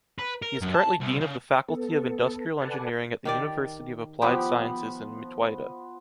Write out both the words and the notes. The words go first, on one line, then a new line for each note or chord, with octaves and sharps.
He is currently Dean of the Faculty of Industrial Engineering at the University of Applied Sciences in Mittweida.
B4
A#4
F#2
A5
C2
C#3
B3 A4
A4 B4 D5 F#5 G#5 A5
D#3 G4 D5
F3 B3 G4 B5